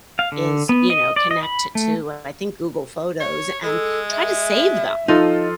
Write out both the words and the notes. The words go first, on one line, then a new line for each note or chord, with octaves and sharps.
is, you know, connect it to, uh, I think, Google Photos and try to save them.
F5
D3
B3
D#5
D5
D#5
B5
A3
C#5
G#3 A4
E5
F3 D#4 F4 A4